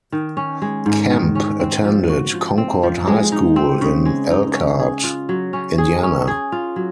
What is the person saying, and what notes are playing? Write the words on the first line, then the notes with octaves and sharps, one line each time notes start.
Kemp attended Concord High School in Elkhart, Indiana.
D#3
C#4
G#3
G#2
D#3
C#4
C4
F3
F#4
F3
C4
F3
G#3
D#4
C4
C#3
G#3
D#4
C#4
G#4
F4
F#3
C#4
G#4
C#4
G#4
F4
F#3